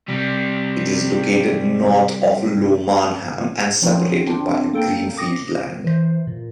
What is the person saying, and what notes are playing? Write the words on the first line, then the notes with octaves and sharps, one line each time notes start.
It is located north of Low Marnham and separated by greenfield land.
C3 G3
F3 F#3 C4 C#4 D#4
C4 D4
A#3 A4 G5
D6 D#6 A#6
E3 C5
A#2